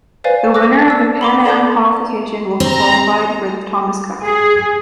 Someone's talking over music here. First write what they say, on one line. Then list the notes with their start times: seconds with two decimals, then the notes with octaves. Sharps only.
The winner of the Pan Am qualification will qualified for the Thomas Cup.
0.24 B4 C5 D5 F5 G#5
0.54 D6 E6 F#6 A#6
0.88 D5 E6
1.21 B5 C6 D6
1.45 A4 D5 A5 C6 D6 G6
2.60 C4 A#5
4.23 G#4